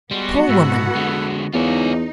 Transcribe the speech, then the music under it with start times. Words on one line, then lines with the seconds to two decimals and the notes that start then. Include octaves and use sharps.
"Poor woman!"
0.11 G3 G#3 B3 F#4 C6
0.49 G#2 E4 A4 F#5
0.95 D3 G#3
1.54 E2 A#3 C#4 D#4 F4 F#4 C#5